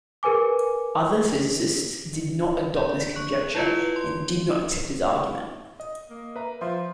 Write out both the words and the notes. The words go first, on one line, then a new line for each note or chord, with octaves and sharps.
Other physicists did not adopt this conjecture and did not accept his argument.
G#4 A#4 B4 G#5 D6
D5
C#6 F#6
E4 F4 B4
C6
D#5
A#3
B4 E5 A#5
F3 E5 C6